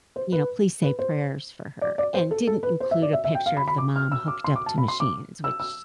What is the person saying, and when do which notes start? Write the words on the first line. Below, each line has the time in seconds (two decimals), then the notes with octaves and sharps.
you know, please say prayers for her," and didn't include a picture of the mom hooked up to machines, which
0.16 C5
0.32 B4
0.83 B4
0.99 C5
1.81 D5
1.98 D5
2.14 C5
2.31 A4
2.47 A4
2.63 B4
2.80 C5
2.91 E5
3.02 D5
3.13 E5
3.24 E5
3.35 G5
3.46 F5
3.57 B5
3.68 B5
3.78 D6
3.96 F6
4.12 E6
4.28 D6
4.44 C6
4.56 D6
4.66 A5
4.78 B5
4.88 C6
5.00 D6
5.44 E6
5.60 E6